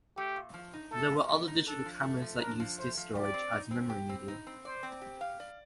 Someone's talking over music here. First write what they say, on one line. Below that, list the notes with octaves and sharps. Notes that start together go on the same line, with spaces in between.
There were other digital cameras that used disk storage as memory media.
A3 G4
A#2
F3
D#4
A3 A4
A#2
F3
D#4
D4 A4
F3
A3
F3
D4 A#4
F3
A3 C5
F3
G4 D5
C4
D#4
C4
G4
C4
D#4
C4
C5 D5
C4
G4
F5
D5